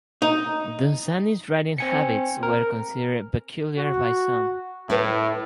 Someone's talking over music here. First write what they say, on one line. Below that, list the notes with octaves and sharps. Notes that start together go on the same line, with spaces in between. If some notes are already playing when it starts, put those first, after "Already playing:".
Dunsany's writing habits were considered peculiar by some.
D#4
C4 G#5 C#7
A#4
F#4
A2 E4 B4